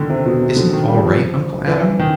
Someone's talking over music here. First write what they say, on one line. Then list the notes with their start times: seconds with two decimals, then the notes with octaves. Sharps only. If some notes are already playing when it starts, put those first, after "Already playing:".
"Isn't it all right, Uncle Adam?"
Already playing: D3 D#3
0.10 C3
0.26 B2
0.41 C3
0.56 D3
0.73 D#3
0.88 G3
1.04 F3
1.68 E3
1.99 D#3